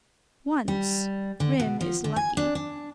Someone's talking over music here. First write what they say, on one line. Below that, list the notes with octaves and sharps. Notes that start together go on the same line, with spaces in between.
Once Grim is lucky.
G3
D3
B2
F3
D3
G#5
D4
D4